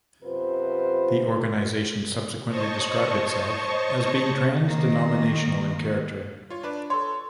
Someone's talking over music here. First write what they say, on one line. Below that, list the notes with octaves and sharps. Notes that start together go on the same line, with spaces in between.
The organization subsequently described itself as being trans-denominational in character.
F#2 C3 F4 B4 C5
C5 C#5 D#5 A5 C#6
D#3 A#3
F4 C#5
D4 B4 D5
A4 C#5 C6